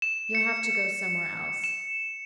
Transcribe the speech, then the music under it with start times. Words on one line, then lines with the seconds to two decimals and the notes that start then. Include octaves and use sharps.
"You'll have to go somewhere else."
0.02 E7
0.35 C#7
1.64 E7